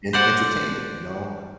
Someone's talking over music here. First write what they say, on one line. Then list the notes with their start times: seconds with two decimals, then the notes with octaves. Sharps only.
en entertainment, you know?
0.13 C5 D5 F#5